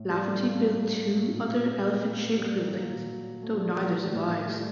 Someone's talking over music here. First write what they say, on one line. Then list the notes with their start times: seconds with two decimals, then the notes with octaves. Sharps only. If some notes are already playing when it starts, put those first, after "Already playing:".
Lafferty built two other elephant-shaped buildings, though neither survives.
Already playing: A2
0.10 G3
0.27 A3
0.45 A#3
1.33 A#2
2.03 A#3
2.38 G3
2.73 A#2 F#3
3.43 A3
3.56 G3
3.68 A3
4.04 G3
4.13 A2 A3
4.30 A3
4.48 G3